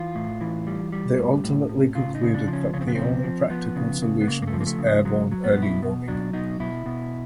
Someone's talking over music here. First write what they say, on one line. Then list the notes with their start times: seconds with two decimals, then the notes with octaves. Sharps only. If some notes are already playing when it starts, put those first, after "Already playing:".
They ultimately concluded that the only practical solution was airborne early warning.
Already playing: E3 F4
0.15 A2
0.41 E3
0.67 G3
0.92 G3
1.18 A2
1.44 A2
1.69 A2
1.95 C#3 F4
2.15 D#4
2.22 C#3
2.34 D4
2.47 F3
2.53 C#4
2.73 C#3 C#4
2.81 C4
2.87 B3
2.95 F3 C4
3.24 F3
3.50 F3 B3
3.76 C#3
4.02 C#3
4.21 B3
4.27 C#3 A#3
4.42 A#3
4.47 A3
4.53 F3
4.60 A#3
4.67 A3
4.79 C#3
4.86 G#3
5.05 F#3 G#3
5.31 F#3
5.44 B3
5.56 B2
5.63 E4
5.82 B2
6.08 F#3 D4
6.33 B2 D#4
6.60 B2 E4
6.86 B2